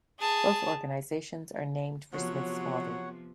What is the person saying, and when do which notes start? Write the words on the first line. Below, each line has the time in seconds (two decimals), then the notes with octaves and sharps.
Both organizations are named for Smith's father.
0.19 G#4 A5
2.13 C3 F3 F#3 B3 C#5 F#5